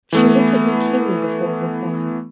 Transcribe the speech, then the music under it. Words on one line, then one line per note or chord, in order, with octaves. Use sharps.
She looked at me keenly before replying.
E3 A3 B3